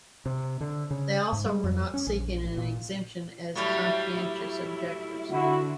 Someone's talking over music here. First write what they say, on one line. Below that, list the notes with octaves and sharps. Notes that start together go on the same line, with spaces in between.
They also were not seeking an exemption as conscientious objectors.
C3
D3
C#3
G#2
G3
F2
C#4
A#1
A1
A#2
A2 F#3 G3
E4
D3 E4 F#4